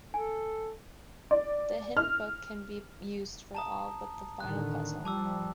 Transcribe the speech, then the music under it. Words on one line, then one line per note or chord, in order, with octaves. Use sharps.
The hint book can be used for all but the final puzzle.
A4 G#5
D5
F6
A5 A#5 D#6
A2 D3 D#3 F#6
F3 G3 A5 D6 E6